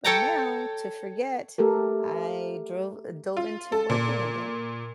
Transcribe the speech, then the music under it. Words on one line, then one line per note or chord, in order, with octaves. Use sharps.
but now to forget, I drove dove into working again.
A4 C#5 G5 A5 A#5
A3 G4 A4 A#4
F4
A4
A#2